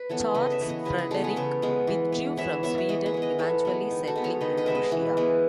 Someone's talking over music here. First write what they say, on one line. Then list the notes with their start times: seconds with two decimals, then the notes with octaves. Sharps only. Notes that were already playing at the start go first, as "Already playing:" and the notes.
Charles Frederick withdrew from Sweden, eventually settling in Russia.
Already playing: B4
0.09 E3 B3 A4 C#5
0.35 C#3 B4 D#5
0.52 C#5 E5
0.61 E3 B3
0.69 B4 D#5
0.85 C#3 G#4 B4
0.98 G#4 B4
1.11 G#3 B3 A4 C#5
1.24 G#4 B4
1.36 C#3 A4 C#5
1.62 G#3 B3
1.87 E3
2.12 B3
2.37 E3 C#5 E5
2.63 B3 C#5 E5
2.78 E5
2.89 E3 B4 D#5
3.06 G#4 B4
3.14 G#3 B3
3.22 B4 D#5
3.39 E3 A4 C#5
3.65 G#3 B3
3.90 D#3
4.07 F#4 A4
4.16 G#3 B3
4.24 A4 C#5
4.41 D#3 B4 D#5
4.57 B4 D#5
4.66 G#3 B3 E5
4.75 B4 D#5
4.92 E3
5.17 G#3 B3